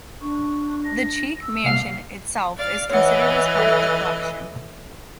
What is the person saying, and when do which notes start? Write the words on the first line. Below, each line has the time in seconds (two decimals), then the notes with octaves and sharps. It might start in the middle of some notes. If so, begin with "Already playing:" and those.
The "Cheek Mansion" itself is considered as part of the collection.
0.22 D4 C#6
0.84 A#6
1.41 E6
1.64 C2 A#3 F5
2.57 D5 F5
2.90 E3 C#5 D#5 F#5
3.58 A4 E5